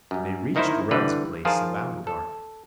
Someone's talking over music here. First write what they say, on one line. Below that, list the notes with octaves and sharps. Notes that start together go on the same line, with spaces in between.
They reached Rudd's place about dark.
F#2 G3
D2 D#3 D#4 E4 A#4 C5
D3 E3 G3 B4
D#3 F3 F4 G#4 A#4 A5
A4